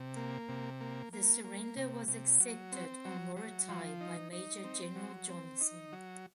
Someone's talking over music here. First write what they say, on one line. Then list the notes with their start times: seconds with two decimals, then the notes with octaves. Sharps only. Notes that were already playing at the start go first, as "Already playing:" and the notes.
The surrender was accepted on Morotai by Major General Johnson.
Already playing: C3
0.16 A#3
0.49 C3
0.81 A#3
1.13 A#3
1.44 A#3
1.76 C3
2.08 C3
2.40 F#3
2.72 C4
3.05 F#3
3.36 F#3
3.68 F3
4.01 D#4
4.33 D#4
4.64 C4
4.96 F#3
5.29 C4
5.61 D#4
5.93 F#3